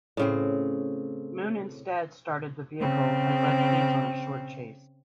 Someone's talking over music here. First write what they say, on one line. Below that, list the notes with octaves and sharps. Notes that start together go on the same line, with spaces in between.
Moon instead started the vehicle and led police on a short chase.
A2 C#3 C4
C#3 C4